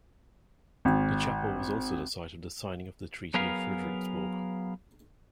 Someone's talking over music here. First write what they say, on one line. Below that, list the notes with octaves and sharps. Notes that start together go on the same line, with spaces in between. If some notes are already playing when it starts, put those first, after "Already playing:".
The Chapel was also the site of the signing of the Treaty of Frederiksborg.
G#1
F#3 B3 G#4 A#4 B4 F5